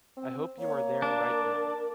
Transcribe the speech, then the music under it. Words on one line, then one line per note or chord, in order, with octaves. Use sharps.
I hope you are there right now.
C4
A#3 C#5
D4 A#4